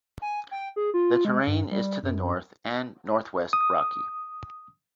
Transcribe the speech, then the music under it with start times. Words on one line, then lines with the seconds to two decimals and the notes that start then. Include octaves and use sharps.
The terrain is to the north and north-west rocky.
0.22 G#5
0.51 G5
0.76 G#4
0.94 F4
1.25 G#3
1.47 G2
1.71 G3
2.03 F#2
3.53 D#6